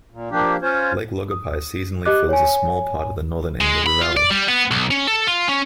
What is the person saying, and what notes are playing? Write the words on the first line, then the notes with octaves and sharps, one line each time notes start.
Lake Logipi seasonally fills a small part of the northern end of the valley.
A#2
F3 A#3 D4 G4
C#4 F4 C5 C#5
D#6
G4 D#5 D6 F#6
C#5 G#5
G#3
B5
F4
D5
G3
B3
B1
C#4
A4
F4
C#4